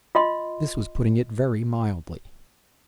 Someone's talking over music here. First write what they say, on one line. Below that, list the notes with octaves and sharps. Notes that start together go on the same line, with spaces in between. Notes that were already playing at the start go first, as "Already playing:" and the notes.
This was putting it very mildly.
F4 D#5 C6